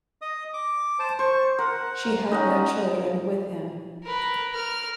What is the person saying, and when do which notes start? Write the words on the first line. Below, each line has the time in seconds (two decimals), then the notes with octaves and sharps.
She had no children with him.
0.21 D#5 D#6
0.53 D6
0.99 C5 A5
1.19 C5 C#6
1.59 A#4 F#5
2.31 C#4 D#4 D#5 F#5
4.03 A#4 B4
4.52 A#4 F6